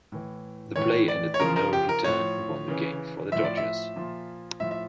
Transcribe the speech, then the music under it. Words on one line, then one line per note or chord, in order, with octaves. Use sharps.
The play ended the no-hitter and won the game for the Dodgers.
A2 E3
A2 E3 C#5
D5
C#5
C#3 F3 A#4
A#4
G4
A#4
A2 F3 C#5
C#3 E3
A2 F3 E5
D5
E5
A#2 F3
A2 F3 E5
E5